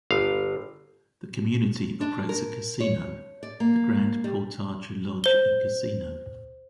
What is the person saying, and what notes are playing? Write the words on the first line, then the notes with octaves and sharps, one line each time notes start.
The community operates a casino, the Grand Portage Lodge and Casino.
G1 F5
D4
A#4
C#5
D5
A#3
G3
C5 G7